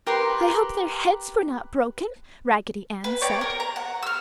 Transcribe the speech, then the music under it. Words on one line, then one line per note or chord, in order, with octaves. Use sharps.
"I hope their heads were not broken!" Raggedy Ann said.
G4 A#4 B4 C6
B4
C#5 D5 G5 A#5
A#4
A#5
F#5
E6 F6